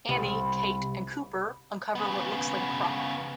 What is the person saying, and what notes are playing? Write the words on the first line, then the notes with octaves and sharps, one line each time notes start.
Annie, Kate, and Cooper uncover what looks like a crime.
C2 B5
C#3 B3